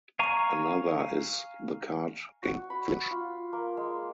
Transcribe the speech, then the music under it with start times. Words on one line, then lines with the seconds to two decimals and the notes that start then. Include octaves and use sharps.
Another is the card game Flinch.
0.19 F5 G#5 A#5 C#6
2.43 F#4
2.70 B5
3.11 F4
3.53 A#3
3.77 G#3